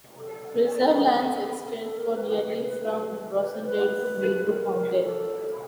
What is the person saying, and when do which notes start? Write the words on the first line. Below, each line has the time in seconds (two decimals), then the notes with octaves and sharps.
Preserve lands extend for nearly from Rosendale to Millbrook Mountain.
0.19 A4
1.80 A4
1.98 A#4
2.17 B4
3.42 B4
3.54 C5
3.66 B4
4.50 A#4
5.04 A4